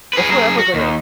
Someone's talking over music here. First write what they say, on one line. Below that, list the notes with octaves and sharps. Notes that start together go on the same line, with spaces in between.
if we're ever gonna
G#4 B4
F#3 G#4
F#4
D#2